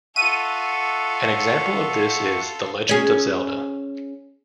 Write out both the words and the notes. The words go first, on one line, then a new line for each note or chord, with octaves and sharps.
An example of this is "The Legend of Zelda".
F4 A4 E5 F#5 C#6 D#7
C#4 G#4